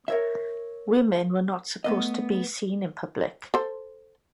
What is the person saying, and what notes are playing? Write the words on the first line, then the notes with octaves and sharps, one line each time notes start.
Women were not supposed to be seen in public.
A#4 C#5 E5
A3 B3 D#5
A4 C5